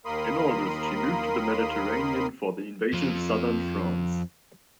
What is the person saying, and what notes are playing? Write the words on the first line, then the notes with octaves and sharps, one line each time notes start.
In August, she moved to the Mediterranean for the invasion of Southern France.
D#2 A#3 A#4 B5 C6 D#6
F2 F3